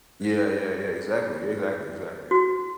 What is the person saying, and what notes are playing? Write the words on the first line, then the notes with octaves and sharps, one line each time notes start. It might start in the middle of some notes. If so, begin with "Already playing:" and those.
Yeah, yeah, yeah, exactly, exactly, exactly.
F#4